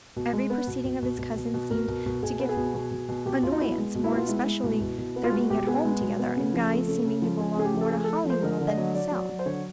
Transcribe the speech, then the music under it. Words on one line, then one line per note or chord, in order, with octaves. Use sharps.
Every proceeding of his cousins seemed to give him annoyance, more especially their being at home together, and Guy's seeming to belong more to Hollywell than himself.
B2
G#3
B3
B2
B2
B2
B2
B2
B2
B2 A#4
B2
B2
B2 G#4
B3
G#4
B2
B2
B2
B2
B2 G4
B2 F4
D#4
B3 E4
G#3
B2
E4
B3 F4
G#3 E4
G#3
B2
B2
B2
B3
F4
G#3 F#4
B2 G4
B3 G#4
G#3
B2
B3
C#3
F3
A3
C#3 A4
C#3
F3
C#3 G#4
C#3 G#4
G4
F3
A4
A3 G#4
A3 A4
F3 C5
D3 A#4
D3
D#5
F#3
F#3 D5
F#3
F#3
C5
D3 C#5